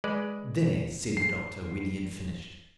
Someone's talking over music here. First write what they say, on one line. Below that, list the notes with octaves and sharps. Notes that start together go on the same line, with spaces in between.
"There!" said the doctor when he had finished.
G#3 B4 D5
C7